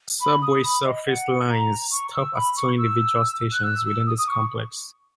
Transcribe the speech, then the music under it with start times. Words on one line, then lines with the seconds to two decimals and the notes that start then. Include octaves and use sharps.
The Subway-Surface Lines stop at two individual stations within this complex.
0.21 B5
0.42 D#6
0.64 B5
0.84 D#5
1.07 F#5
1.50 A#5
1.92 C#6
2.13 E6
2.35 B5
2.56 C#6
2.78 E6
3.53 F#6
3.63 E6
3.85 E6
4.06 D#6
4.18 D#6
4.28 C#6